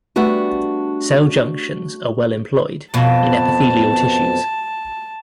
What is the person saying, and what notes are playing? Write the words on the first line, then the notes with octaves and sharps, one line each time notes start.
Cell junctions are well-employed in epithelial tissues.
G3 A3 B3 D4 F#4
F2 B2 A5